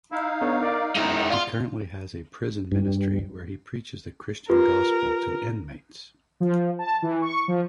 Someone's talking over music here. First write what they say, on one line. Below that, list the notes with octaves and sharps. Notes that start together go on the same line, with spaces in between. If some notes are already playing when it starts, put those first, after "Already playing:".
He currently has a prison ministry, where he preaches the Christian gospel to inmates.
D#4 E4 F5
B3 D4 A4 C#5
A#4 D5 D7
F#2 G#3 B3 D#4 E4 A#5
F4 D5 C6
G2
F4 G4 A#4 B4
F3
A5
E3
C#6
F3